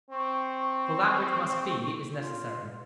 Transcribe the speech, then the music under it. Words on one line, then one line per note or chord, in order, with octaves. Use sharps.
For that which must be is necessary.
C4 C#6
F4